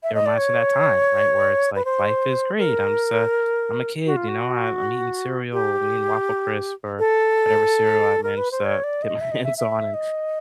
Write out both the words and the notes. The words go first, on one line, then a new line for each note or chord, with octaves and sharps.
it reminds me of that time, right? Where it's, like, "Life is great, I'm just a I'm a kid, you know? I I'm eating cereal, I'm eating Waffle Crisp, or whatever cereal I managed to get my hands on, and
E5
D#5
D5
C#5
B4
C5
A#4
F#4
F4
F#4
G4
A4
A#4
B4
C5
C#5
D5
D#5
E5
D#5
E5
E5
D#5